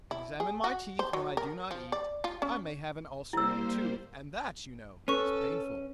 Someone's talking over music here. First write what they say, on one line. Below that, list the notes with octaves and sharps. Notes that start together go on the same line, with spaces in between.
Examine my teeth when I do not eat; I may have an ulcerated tooth, and that, you know, is painful.
E4
G#4
F#4
C5
F#3
A#4
F3
D5
F4
C#4
G3 A#3 E4 C5 E6
C#4 A4 B4 C#6